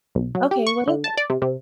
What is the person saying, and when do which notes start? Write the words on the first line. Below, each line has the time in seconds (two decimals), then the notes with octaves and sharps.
Okay, what is it?
0.15 B1
0.35 F#3
0.51 G4
0.67 C#6
0.87 D3
1.04 A5
1.17 D5
1.30 C3
1.42 C3